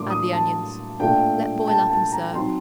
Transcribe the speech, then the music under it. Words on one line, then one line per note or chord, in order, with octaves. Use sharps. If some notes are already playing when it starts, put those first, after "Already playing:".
Add the onions; let boil up and serve.
Already playing: A2 F#3 A#3 D4 C6 D6
D#6
A5
A#2 A3 D4 G5
A5
A5
A#5
F#3 C4 D#4 C6